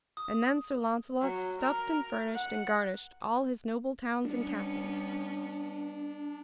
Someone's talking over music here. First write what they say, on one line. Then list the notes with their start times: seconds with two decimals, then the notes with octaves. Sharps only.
And then Sir Launcelot stuffed and furnished and garnished all his noble towns and castles.
0.17 D#6
1.21 F#3
1.59 A#4
2.34 F#5
4.25 G3 B3 C#4 D4